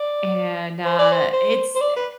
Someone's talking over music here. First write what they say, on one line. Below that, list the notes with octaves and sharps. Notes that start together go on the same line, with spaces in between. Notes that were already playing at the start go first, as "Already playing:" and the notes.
and, uh, it's eh,
Already playing: D5
C5
D5
C5
C5
C5
D5
B4